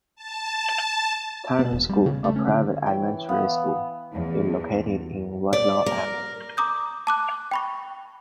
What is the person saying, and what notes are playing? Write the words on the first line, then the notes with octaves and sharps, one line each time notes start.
Tarleton School, a private elementary school, is located on Waterloo Avenue.
A5
B3
E1
G3
C#3
A3
C#4
D3
E3 E4 C#5 G5
B3 F5
E2
D5
A#4
A#5 D6 D#6 G6
A5 D6 F#6
G5 B5 C#6